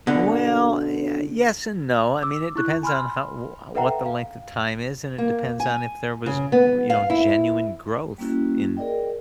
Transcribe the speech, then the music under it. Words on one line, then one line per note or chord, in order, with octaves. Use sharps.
Well, ye yes and no. I mean, it depends on how w what the length of time is, and it depends on if there was, you know, genuine growth in
B2 D3
D6 E6
E4 C#6 F#6
G#5 B5 C6 F6
A4 B4 E5 F#5 G5 A#5
F5
A#3
G#5
C#3
B3
F5
E4
G3 A#3 C#4 E4 F#4
G#4 A#4 D5 D#5 G5